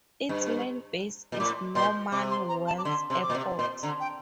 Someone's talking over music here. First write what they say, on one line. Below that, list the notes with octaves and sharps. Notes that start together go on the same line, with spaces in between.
Its main base is Norman Wells Airport.
G2
A#2
A2 D6
A#2 C6
C3 D6
C6
A#5
A5
D6
D3 C6
C3 C6
D6
A#2
C3
A#2 C6
D3 A#5
G5